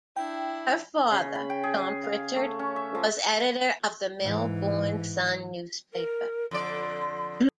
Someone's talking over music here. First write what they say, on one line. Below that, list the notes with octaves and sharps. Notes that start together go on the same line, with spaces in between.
Her father, Tom Prichard, was editor of the Melbourne "Sun" newspaper.
D4 E4 G5
C#3
B5
G5
G#4
F5
A3
C#4
E5
F3
G#2 E3
A#4
F2 D3 D5 C6